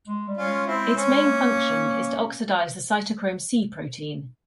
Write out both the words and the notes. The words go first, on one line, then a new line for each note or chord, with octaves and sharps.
Its main function is to oxidise the Cytochrome c protein.
G#3
G3
C#4 F4
G#3
C4 E4
C#4
A#3